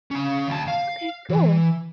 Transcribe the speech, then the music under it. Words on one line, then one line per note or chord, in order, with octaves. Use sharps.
Okay, cool.
C#4 F5
D2 A5
F5
E3